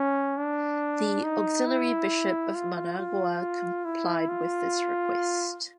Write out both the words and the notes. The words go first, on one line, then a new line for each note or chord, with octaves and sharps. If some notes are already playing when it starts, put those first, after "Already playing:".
The auxiliary Bishop of Managua complied with this request.
Already playing: C#4
D4
D#4
E4
F4
F4
E4
F4